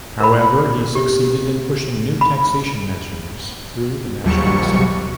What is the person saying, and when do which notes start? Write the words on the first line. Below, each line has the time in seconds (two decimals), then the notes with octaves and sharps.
However, he succeeded in pushing new taxation measures through the National Assembly.
0.20 A#4 B5
0.95 G4
2.21 B5
4.24 A#1 D#2 F#3 G3 C#6 C#7